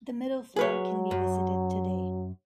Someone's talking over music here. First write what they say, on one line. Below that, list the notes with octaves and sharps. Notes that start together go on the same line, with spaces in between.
The middle floor can be visited today.
F#3 G#4 B4 C#5
F#2